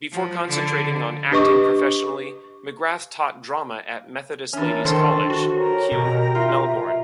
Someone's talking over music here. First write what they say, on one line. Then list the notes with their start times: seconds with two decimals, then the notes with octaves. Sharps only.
Before concentrating on acting professionally, McGrath taught drama at Methodist Ladies College, Kew, Melbourne.
0.11 F3
0.47 D3
1.31 D4 G4 B4 D#5 C#6 D6
4.53 E2 C#4 D4 A#4 E5 A5
4.85 D#3 A4 C5 A5 C#6
5.30 F#4
5.55 G4 A#4 C#5 A#5
5.92 B2 F#4
6.35 F4 E5